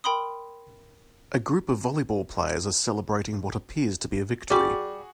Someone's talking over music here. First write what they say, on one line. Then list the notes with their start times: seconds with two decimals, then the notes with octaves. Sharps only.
A group of volleyball players are celebrating what appears to be a victory.
0.04 A#4 G5 B5 C6 D#6
4.50 G3 F#4 G#4 D5 C#6